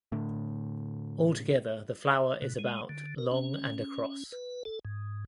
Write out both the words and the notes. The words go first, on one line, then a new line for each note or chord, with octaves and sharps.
Altogether the flower is about long and across.
A2 D3
B2
G#3
D3
A#4
C#4
B4
A4
G#2